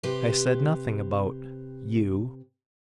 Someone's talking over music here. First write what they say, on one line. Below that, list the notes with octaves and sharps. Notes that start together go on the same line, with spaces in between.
"I said nothing about--you."
C3 G4 B4 C5